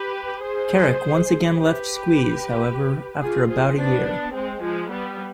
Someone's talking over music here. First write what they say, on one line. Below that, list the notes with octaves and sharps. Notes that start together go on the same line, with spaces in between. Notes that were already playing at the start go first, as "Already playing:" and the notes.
Carrack once again left Squeeze, however, after about a year.
Already playing: G4 B4
G#4 C5
G4 B4
F4 G#4
G#4 C5
B3 D4
G#3 C4
F3 G#3
G3 B3